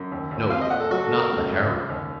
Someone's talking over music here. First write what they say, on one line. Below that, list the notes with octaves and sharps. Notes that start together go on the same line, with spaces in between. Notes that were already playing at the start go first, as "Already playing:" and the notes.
Nope, not the harem.
Already playing: F#2
D#2
D#2
C4 F5
D#5
A#2 F#5
A4
F#3 F#4
A4
A#3
A#4
C#2 A4
C#2
F3
D#2